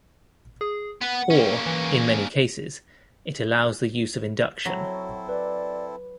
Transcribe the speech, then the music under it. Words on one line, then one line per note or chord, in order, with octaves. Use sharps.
Or, in many cases, it allows the use of induction.
G#4
B3 B4 F#5
A#3 C#4
E3
F#3 C4 E4 A4
B4 D5